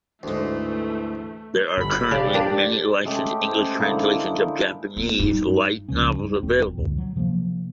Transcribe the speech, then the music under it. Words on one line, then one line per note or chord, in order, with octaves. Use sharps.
There are currently many licensed English translations of Japanese light novels available.
D2 G#2 E3 A3
G1 B5
C#3 G4 D5
G3 A#3 D4
G#3 A3 C#4 G4
C#4 C5
D3 G#3 A#3 E4
B3 F4
G2 G3 D#4
C#2 C#3 F3 C#4
G2
E1 E2 C4
C#2 F#2 A#2 D3
F#3
C3 F3 A3 A#3